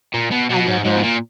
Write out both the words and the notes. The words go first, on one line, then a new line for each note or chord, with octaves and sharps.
I never
A#2
B2
B2
G#2
G#2
B2
A#2